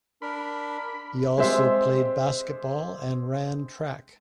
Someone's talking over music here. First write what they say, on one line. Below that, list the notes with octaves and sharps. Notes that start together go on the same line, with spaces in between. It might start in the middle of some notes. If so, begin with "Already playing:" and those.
He also played basketball and ran track.
D4 A#4 B5
G#3 C4 G4 C5 E5